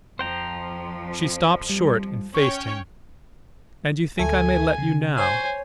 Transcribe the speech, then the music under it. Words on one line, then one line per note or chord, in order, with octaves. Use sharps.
She stopped short and faced him "And you think I may let you now?"
F2 F3 C5 G5 A#5
G3
C#4 C#5 G5 C#6
D2 A4 E5 G#5
C#3
C5 C#5 G#5